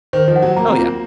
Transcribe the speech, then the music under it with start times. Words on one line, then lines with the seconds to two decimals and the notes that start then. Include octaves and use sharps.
Oh, yeah.
0.13 D#3 C5
0.28 F3
0.36 F#5
0.43 F#3
0.56 A#3 A#5
0.68 C4
0.79 A#3 F4